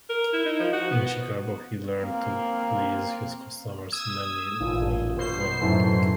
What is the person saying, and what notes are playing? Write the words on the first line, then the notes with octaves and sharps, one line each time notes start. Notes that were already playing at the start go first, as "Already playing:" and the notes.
In Chicago he learned to please his customers, many of whom were women.
A#4
E4
D#4
F3
F#4
B3
A#3 C4
D#6 E6 G#6
A1 A#2
B2 C5 C7
F#2 A2 A3